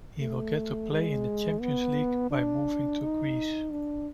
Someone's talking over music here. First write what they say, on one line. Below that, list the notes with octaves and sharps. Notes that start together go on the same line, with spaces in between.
He will get to play in the Champions League by moving to Greece.
A3
G#3
B3
D4
D#4
D4